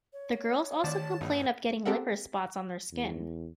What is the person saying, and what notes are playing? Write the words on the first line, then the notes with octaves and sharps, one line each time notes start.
The girls also complain of getting liver spots on their skin.
C#5
A1 D#3 C4 D5 A5
A#1 G2
C4 G4 A4 A#4 E5 F#5
E2